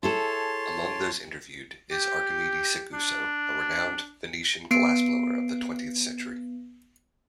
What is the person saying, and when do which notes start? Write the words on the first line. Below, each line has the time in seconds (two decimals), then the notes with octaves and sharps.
Among those interviewed is Archimede Seguso, a renowned Venetian glassblower of the twentieth century.
0.03 E4 G#4 A4 C#5 A5 C6
1.91 G4
2.93 D4
4.71 B3 C7 D7